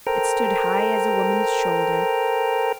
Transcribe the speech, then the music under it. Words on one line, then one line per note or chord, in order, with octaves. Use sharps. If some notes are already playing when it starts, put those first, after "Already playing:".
It stood high as a woman's shoulder.
A4 A#4 C5 G5 A#5